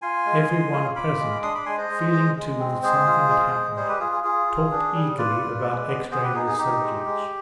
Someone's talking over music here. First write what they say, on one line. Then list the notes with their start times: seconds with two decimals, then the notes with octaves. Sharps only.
Everyone present, feeling too that something had happened, talked eagerly about extraneous subjects.
0.02 F4 G#5 C6
0.26 G#3
0.49 G#3
0.73 F4
0.95 F4 B5 D6
1.19 G#3
1.43 D4 C6 D#6
1.54 B5 D6
1.66 G#3 G#5 C6
1.78 C5 D#5
1.89 G#3
2.13 G#3
2.36 G#3
2.60 C4
2.83 G#3 G#4 C5
3.06 F4
3.30 G#3
3.53 G#3
3.76 G3 G#4 C5
3.89 G4 B4
4.00 F4 G#4
4.12 G#4
4.24 F4 G#4
4.47 F4
4.71 D4
4.94 G3
5.18 F4 B4 D5
5.41 F4
5.64 G#3
5.88 B3
6.11 B3 G#4 C5
6.23 G4 B4
6.34 D#4 G#4
6.46 G#4
6.58 D#4 G4
6.82 G#3
7.06 G#3